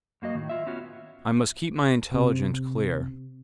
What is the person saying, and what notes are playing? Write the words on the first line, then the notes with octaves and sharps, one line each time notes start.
I must keep my intelligence clear.
F#2 A#3 F#4 D#5
A2 D#3
F4 E5
B3 C#4 F4 F#4
C3